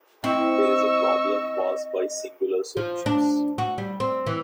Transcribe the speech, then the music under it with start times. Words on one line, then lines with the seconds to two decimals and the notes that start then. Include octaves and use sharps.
There is a problem caused by singular solutions.
0.24 C4 E4 D#5 C#6 E6
2.77 F3
3.06 D4
3.58 F#4
3.78 G3
4.00 C4
4.27 E3